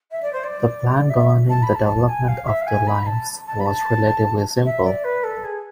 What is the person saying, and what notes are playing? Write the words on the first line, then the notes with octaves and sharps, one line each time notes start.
The plan governing the development of the limes was relatively simple.
E5
D5
C5
D5
E5
A5
B5
A5
A5
G#5
F5
E5
F5
G#5
B5
A5
A5
B5
A5
E5
D5
B4
A4
G#4